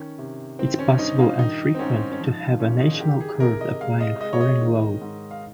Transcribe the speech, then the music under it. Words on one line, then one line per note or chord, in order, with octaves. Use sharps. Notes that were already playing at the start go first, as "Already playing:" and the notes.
It is possible and frequent to have a national court applying foreign law.
Already playing: D#3 C#4
C3
D#3 C4
C#4
G2 D#4
F4
D#3 D#4
C4
G#2 C#4
C#4
F3 D#4
F4
A#2 C#4
D#4
G#4
D#3 G4
G#4
C3 A#4
D#5
G#3 F5
D#5
G#3 D#5
C#5
D#5
D#3
G#2
F5